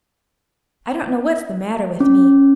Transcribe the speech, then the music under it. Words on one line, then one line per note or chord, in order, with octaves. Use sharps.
I don't know what's the matter with me.
C#4